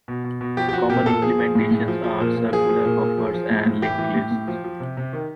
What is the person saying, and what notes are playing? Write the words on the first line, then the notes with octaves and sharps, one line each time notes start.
Common implementations are circular buffers and linked lists.
B2
B2
B2
F3 G4
G4
F3 F#4
A#2 G4
A#2 A4
F3 G#4
F3
A2
A2
F3
F3
A#2
A#2
F3 G#4
F3
A#2
A#2
F3
F3
A2
A2
E3 G4
E3
A2
A2
F3
F3
C3
C3
D#3